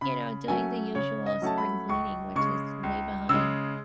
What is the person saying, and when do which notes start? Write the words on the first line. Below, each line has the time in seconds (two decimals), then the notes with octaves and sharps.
you know, doing the usual spring cleaning, which is way behind.
0.01 C#3 B5
0.48 F#3 A3 C#4 G#5
0.95 C#3 C#5
1.26 D#5
1.42 F#3 A3 C#4 A5
1.58 B5
1.89 C#2 C#6
2.35 C#3 G#3 C#6
2.83 C#2
3.29 C#3 G#3 E6